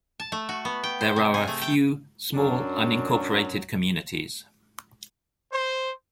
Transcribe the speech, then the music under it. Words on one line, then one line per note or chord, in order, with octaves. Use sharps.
There are a few small unincorporated communities.
A5
A3
F#4
B3
G5
C5
C3
G#4
A3
G5
F#2 F#3 D4
C5